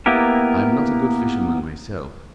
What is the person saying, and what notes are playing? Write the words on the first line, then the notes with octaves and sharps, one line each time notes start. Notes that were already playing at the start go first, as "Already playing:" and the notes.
I am not a good fisherman myself.
A#3 B3 E4 G4 A#4